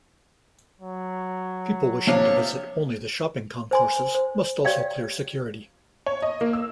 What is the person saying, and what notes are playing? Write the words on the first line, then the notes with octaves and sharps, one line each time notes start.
People wishing to visit only the shopping concourses must also clear security.
F#3
C3 F3 A#3 D4 C#5 F5
C5 G#5 C6
C5
G4 C#5 D5 F5 G5
C#5
D#5
A#3
E6